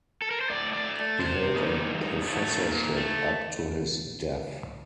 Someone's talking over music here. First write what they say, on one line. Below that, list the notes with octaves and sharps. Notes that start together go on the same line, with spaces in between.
He held a professorship up to his death.
A4
A#4
C5
A2 D5
D5
A3
C3 C5
G3 A#3 D#4
G2
F#3 A3
A#2
A3